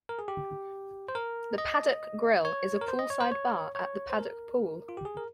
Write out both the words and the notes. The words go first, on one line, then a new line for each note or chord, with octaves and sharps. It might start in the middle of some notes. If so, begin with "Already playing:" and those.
The Paddock Grill is a poolside bar at The Paddock Pool.
A#4
G#4
G4
C5
A#4
D#5
C#5
A#4
C5
D#5
C#5
C5
C#5
C#5
C5
A#4
F4
G4
G#4
A#4